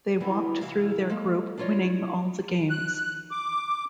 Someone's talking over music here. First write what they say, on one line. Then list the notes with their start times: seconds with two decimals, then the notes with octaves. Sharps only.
They walked through their group winning all the games.
0.20 E2 D3 E3 G3 B3 C4
0.61 C3 E3 E4 E5 F5
1.10 G#3 A#3 A4
1.58 D4 E4 F4 G#4 C#5 D#5
2.70 F#6
3.31 D6